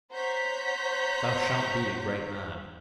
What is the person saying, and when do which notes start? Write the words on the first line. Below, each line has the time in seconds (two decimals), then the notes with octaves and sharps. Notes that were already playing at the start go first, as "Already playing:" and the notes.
Thou shalt be a great man.
0.12 C5 C#5 F#5 A#5 G6 B6